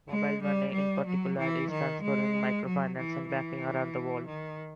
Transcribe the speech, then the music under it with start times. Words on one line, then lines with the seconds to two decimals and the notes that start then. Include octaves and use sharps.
Mobile money, in particular, is transforming microfinance and banking around the world.
0.09 G#3
0.42 G3
0.73 G3
1.06 F#3
1.38 E3
1.70 D#3
2.01 G#3
2.65 F#3
2.97 E3
3.29 E3
4.25 D#3